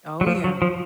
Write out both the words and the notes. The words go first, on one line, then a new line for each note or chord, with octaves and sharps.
Oh, yeah.
F#3
F3
F#3
F3